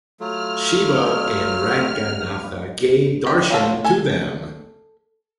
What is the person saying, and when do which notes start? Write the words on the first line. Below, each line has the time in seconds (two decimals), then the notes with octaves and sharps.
Shiva and Ranganatha gave darshan to them.
0.20 F#3 A3 F4 F6
3.27 G4
3.50 F#3 F4 A4
3.84 A4 G#5